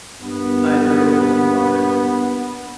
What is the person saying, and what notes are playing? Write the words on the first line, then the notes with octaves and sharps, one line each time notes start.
Eyes are oval and prominent.
G2 A#3 B3